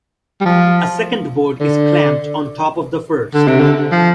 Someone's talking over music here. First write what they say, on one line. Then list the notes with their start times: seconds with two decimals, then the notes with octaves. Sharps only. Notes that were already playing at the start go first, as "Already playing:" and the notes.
A second board is clamped on top of the first.
0.41 G3
0.45 F3
1.60 D3
3.34 D3
3.47 C3
3.60 D3
3.92 F3